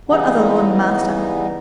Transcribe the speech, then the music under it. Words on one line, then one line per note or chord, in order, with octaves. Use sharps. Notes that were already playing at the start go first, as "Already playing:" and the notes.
What other lord and master?
C#3 E3 G3 B3 D#4